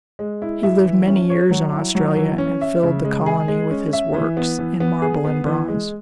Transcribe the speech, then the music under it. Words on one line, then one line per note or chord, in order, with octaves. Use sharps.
He lived many years in Australia, and filled the colony with his works in marble and bronze.
G#3
E4
E5
E3
C#4
C#5
F#3
E4
F#3
E3
C#4
E5
C#3
G#3
G#4
G#3
C#4
E5
E3
B3
E3
B3
G#4
B3
E3
G#3